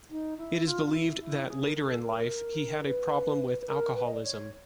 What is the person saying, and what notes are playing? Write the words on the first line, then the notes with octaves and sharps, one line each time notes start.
It is believed that later in life he had a problem with alcoholism.
D#4
E4
F4
F4
E4
E4
G#4
A#4
A4
A#4
A#4
B4
B4
A#4
B4
D#5
D5
C#5